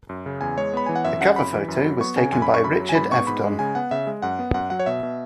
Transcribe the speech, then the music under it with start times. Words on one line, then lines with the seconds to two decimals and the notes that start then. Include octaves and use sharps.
The cover photo was taken by Richard Avedon.
0.09 F#2
0.26 C#3
0.41 E2 G#5
0.57 G#3 C#5
0.73 B3 B5
0.86 E3 G#5
0.95 F#5
1.05 F#2 E5
1.21 C#4 F#5
1.36 F#2 B5
1.53 E3
1.68 F#2
1.85 F#3
2.00 B3 C#6
2.16 C#3 G#5
2.32 F#2 G#5
2.42 B5
2.48 C#4
2.54 C#6
2.64 F#2 B5
2.80 F#3
2.89 G#5
2.95 G#2 B5
3.11 B3 C#6
3.27 G#2 B5
3.44 G#3
3.59 C#3 G#5
3.75 B3 F#5
3.91 C#3 E5
4.07 G#3
4.22 F#2 F#5
4.39 B3
4.54 F#2 F#5
4.70 F#3 F#5
4.80 C#5
4.86 B2 E5
5.03 B2